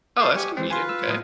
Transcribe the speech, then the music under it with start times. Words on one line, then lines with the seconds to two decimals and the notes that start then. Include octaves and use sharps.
Oh, that's convenient, okay.
0.20 A4 F5 G6
0.36 G4 G#5 C#6
0.57 E3 G#3 C4 C5
0.70 F4 B4 G#5 C6
0.89 E6
1.08 A2 D#6